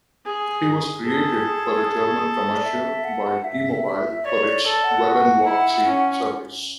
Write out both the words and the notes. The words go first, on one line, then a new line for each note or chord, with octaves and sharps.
He was created for a German commercial by T-Mobile for its web'n'walk service.
G#4
G#4 A4
D5
E5
F#5
E5
C#5 D5
D5
A4 D5
F#5
F#4
E4
C#4